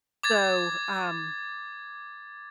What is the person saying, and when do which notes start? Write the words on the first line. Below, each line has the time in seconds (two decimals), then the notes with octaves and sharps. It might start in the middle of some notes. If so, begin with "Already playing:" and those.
So, um
0.23 D6 G#6 A6